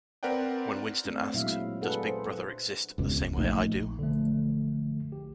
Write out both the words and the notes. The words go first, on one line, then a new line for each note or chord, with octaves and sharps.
When Winston asks Does Big Brother exist the same way I do?
C4 A#4 B4 D5 F#5 G5
A3 C4 D4
A#2 F#3 G#3 E4 E5 F5
D4 G#4 A4 B4 F#5
F#3 C5
E1 C#2 G#2
A#1 F3 A3 D#4
D3 F3 A3
G4